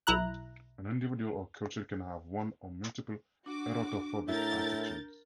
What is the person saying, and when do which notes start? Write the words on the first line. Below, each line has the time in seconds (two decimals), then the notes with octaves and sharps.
An individual or culture can have one or multiple erotophobic attitudes.
0.07 B1 E4 A#5 F#6
3.46 D4 F#4 D6
4.29 A2 E4 A#4 G6 A6